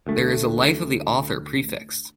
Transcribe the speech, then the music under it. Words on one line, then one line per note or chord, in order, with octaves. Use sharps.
There is a life of the author prefixed.
D2 A3